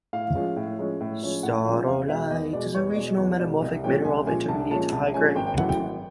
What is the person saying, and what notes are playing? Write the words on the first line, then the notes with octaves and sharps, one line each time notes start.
Staurolite is a regional metamorphic mineral of intermediate to high grade.
A2 F5
F3 G#3 C#4
A2
F3 G#3 C#4
A2
F3 G#3 C#4
A2 F#5
F3 G#3 C#4 F5
E2 F5
B2 G#3 E5
E2 D#5
B2 G#3 D5
E2 C#5
D#5
B2 G#3 D5
E2 C#5
B2 G#3 D5
C2 D#5
A#2 F3 G#3 C#4 G5
C2 G#5
A#2 F3 G#3 C#4 G#5
C2 A5
A#2 F3 G#3 C#4 A5
C2 A5
A#2 F3 G#3 C#4 G#5
G#1 G5
G5
F#2 C#3 E3 A3 F#5
G5
G#1